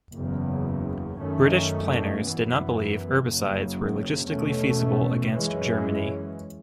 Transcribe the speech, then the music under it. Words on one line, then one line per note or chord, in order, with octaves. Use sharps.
British planners did not believe herbicides were logistically feasible against Germany.
F#1 E2 C#3
F#2 D#3 A3 C#4
F#2 E3 B3
F#1 F#2 C#3 F#3
E2 B2 A3 C#4
F#2 E3 G#3 C#4